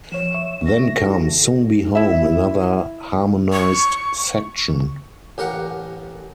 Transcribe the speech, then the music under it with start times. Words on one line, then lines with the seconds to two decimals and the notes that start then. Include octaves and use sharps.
Then comes "Soon Be Home", another harmonised section.
0.12 F3 C#5 E7
0.34 E5 C#6
0.66 A#6
1.00 D#4 F#4 A4
1.95 E4 E5
3.52 C#6
5.38 A1 G4 A#4 F5 F#5